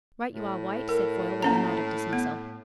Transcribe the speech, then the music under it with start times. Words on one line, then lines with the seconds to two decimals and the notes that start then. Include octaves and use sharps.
"Right you are, White," said Foyle with a nod of dismissal.
0.34 A2
0.89 A#4
1.43 A#3 C#4 A#5
2.13 B3